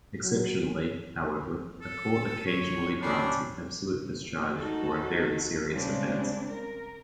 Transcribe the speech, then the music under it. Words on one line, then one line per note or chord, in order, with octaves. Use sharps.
Exceptionally, however, a court occasionally grants an absolute discharge for a very serious offence.
F#3
A4
C#5
G3 C#4 D4 C6
D#4 F#4 A4
C#3 G3 G#3 C4 D4
A#4